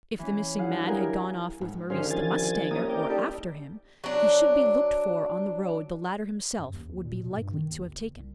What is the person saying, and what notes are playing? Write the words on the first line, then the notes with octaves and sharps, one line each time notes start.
If the missing man had gone off with Maurice the mustanger, or after him, he should be looked for on the road the latter himself would be likely to have taken.
E3 C#4
G2 F#3 E4 G#4 F5 F#5
G4 G#4 A#4
G#2
C2 D3 D#3 C#4 G#4 C5 F5
F3 G#5 A6
A#3 C#4 A#4 D#6
A#4 D5 G5
G3 D#4 A4
F#3 D4
F#2
D#2
D#2
A#2
B2
G2
D#3
D#2
G1
F#1
C2